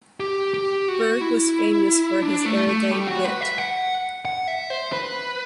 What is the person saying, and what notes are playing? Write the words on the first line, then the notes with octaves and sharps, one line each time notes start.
Burg was famous for his erudite wit.
G4
G4
F#4
E4
D4
A3
A3
G3
F#4
B4
E5
F#5
F#5
E5
C5
B4